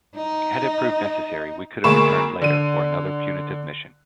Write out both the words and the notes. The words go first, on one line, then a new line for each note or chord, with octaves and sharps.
Had it proved necessary, we could have returned later for another punitive mission.
D#4
D2 G#3 A#3 B5 C#6 E7
D3 D#7